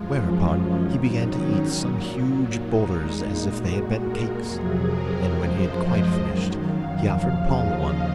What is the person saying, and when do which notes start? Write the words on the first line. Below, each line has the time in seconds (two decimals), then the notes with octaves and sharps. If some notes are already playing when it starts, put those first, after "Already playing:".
Whereupon he began to eat some huge boulders as if they had been cakes, and when he had quite finished, he offered Paul one.
Already playing: F#2 F3 G#3 F4
0.32 C#4
0.77 G#2 D#3 F#3 D#4
1.22 C#4
1.67 A#2 F#3
2.57 A#2 G#3 D#4
3.02 D#4
3.47 A#2 G#3 F#4
3.92 A#4
4.37 F2 C3 F#3 G#4
4.82 A#4
5.27 F#2 F3 G#3 C5
5.72 D#5
6.17 F#2 D#3 F#3
6.62 F5
7.06 D#2 C#3 F3 F5
7.52 D#5